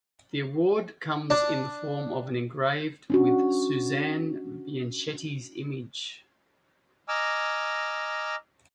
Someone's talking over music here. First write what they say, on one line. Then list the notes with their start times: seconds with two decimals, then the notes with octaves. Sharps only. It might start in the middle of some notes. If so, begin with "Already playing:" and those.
The award comes in the form of a engraved with Suzanne Bianchetti's image.
1.30 D4
3.10 C#4 D4 F#4
7.08 D#5 G#5 A#5 D6 E6 F6